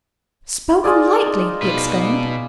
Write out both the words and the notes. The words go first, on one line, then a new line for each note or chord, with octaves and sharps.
"Spoken lightly!" he exclaimed.
D#4 F4 G#4 D5
B2 B4